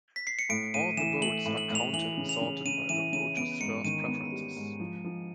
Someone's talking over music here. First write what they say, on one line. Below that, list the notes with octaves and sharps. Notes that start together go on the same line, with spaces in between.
All the votes are counted and sorted by the voters' first preferences.
B6
C7
C#7
A2 D7
A2 D#7
E3 E7
A3 F#7
A2
F#7
A2
F7
E3 F#7
C#3
F7
C#3
C#3 D#7
E3 D#7
C#3 D#7
B3 D7
G#2 C#7
D#3 D#7
B3
G3
G#2
F3
F3